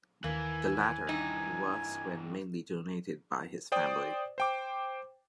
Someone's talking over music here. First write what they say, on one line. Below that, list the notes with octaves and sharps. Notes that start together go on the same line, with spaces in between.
The latter works were mainly donated by his family.
D#2 E3 A#3 G#5
G2 E3 D#4
C5 D5 G5 D#6
C5 G5 D6